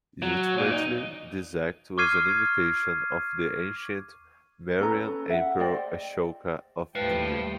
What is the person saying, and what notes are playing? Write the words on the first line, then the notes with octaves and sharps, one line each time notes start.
Ultimately, this act was an imitation of the ancient Mauryan Emperor Ashoka of India.
F#3
A#2
D#4
C#6 D6 F6 G#6 C7 D#7
C#4 A4 B4 A#5
E5 F#5
C5 D5 D#5 G5
D#2 A2 G3 B4 F5 G5 A5